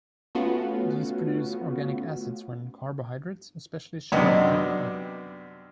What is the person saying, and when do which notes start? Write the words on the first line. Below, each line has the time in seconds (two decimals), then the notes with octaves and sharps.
These produce organic acids when carbohydrates, especially sugar, are eaten.
0.35 A3 B3 C#4 F4 F#4
4.12 F#2 C3 G3 B3 D4 D#5